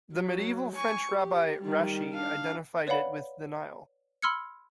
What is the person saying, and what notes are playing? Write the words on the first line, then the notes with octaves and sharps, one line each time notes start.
The medieval French rabbi Rashi identified it with the Nile.
F#3
G#5 C#6
G4
D#3 G3
D4 F5
B4 C#5 D5 F5 F#5 B5
B5 C6 E6 F6 G#6 C#7